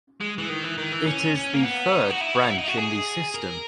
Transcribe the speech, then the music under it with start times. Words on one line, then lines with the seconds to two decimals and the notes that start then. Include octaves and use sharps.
It is the third branch in the system.
0.21 G#3
0.38 E3
0.50 D#3
0.64 E3
0.78 D#3
0.92 E3
1.06 C#4
1.35 C#4
1.54 A#3
1.63 B3
1.92 D#4
2.10 F#4
2.21 E4
2.35 F#4
2.43 D#4
2.49 E4
2.58 D#4
2.68 F#4
2.77 G#4
3.35 A#4